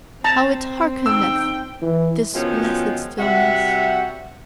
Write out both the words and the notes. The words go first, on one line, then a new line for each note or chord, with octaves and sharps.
How it hearkeneth, this blessed stillness!
C4 A5 A#5
D#4 G5 E6
E3
D#3 F3 F#3 G#3 B3 C#4
C3 G3 F#4 E5 F#5